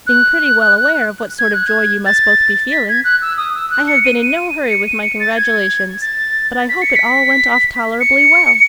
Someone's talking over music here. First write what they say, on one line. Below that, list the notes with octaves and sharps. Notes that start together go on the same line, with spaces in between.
Being pretty well aware of what sort of joy you must both be feeling, I have been in no hurry with my congratulations; but I hope it all went off tolerably well.
F#6
G#6
F#6
G#6
A6
B6
G#6
F#6
E6
D#6
E6
F#6
C#7
D#7
D#7
C#7
D#7
C#7
A6
G#6
A6
B6
C#7
B6
C#7